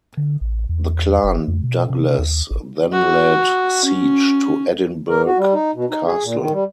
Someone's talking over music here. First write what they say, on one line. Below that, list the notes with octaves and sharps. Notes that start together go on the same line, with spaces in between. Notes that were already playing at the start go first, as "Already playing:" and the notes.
The Clan Douglas then laid siege to Edinburgh Castle.
D3
A1
E2
F#1
F2
B2
C3
D#2
G#1
F#4
C#4
A#4
F#4
G3
D#4
B2
D#4
G#4
A#2
D#3
G3